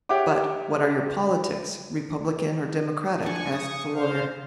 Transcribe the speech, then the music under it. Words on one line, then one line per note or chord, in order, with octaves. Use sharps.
"But what are your politics--Republican or Democratic?" asked the Lawyer.
G4 C#5 E5 F#5 D6
F3 D4 G#5 C#6
C#3 C#6 D#6
C5 F5